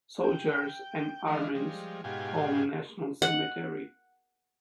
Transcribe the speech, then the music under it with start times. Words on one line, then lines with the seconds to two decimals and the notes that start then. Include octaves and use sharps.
Soldiers' and Airmen's Home National Cemetery.
0.23 G5
1.27 E3 G#3 D4 D#5 F5
1.55 F3 G3 G#3
2.04 G#2 B2 F4 G4 G#5
3.22 F#5